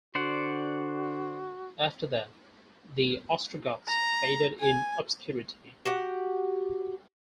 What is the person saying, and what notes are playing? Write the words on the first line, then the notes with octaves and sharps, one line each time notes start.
After that, the Ostrogoths faded in obscurity.
D3 F#4 C5 D5 F#5
A#5
G#5
F#4 G4 F#5